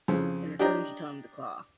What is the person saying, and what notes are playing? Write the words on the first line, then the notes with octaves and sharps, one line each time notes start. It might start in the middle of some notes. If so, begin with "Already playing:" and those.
In return, she taught him the 'Claw'.
F2 C#3
D4 G4 D#5 G5 A#5